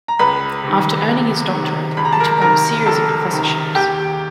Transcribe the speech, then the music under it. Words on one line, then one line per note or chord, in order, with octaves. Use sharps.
After earning his doctorate, he took up a series of professorships.
A#5
C#2 B4 B5
C3 D#3
C#2
C3 D#3
C#2 B5
A#5
A5
A#4 A#5
C3 D#3 A#4 A#5
C#2 A4 A5
C3 D#3
D#2 G4 G5